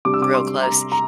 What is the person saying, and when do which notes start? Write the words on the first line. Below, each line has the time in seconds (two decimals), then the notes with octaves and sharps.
real close,
0.05 C3 G3 D4 D6
0.14 E6
0.22 D6
0.34 C6
0.62 A#5
0.92 A#5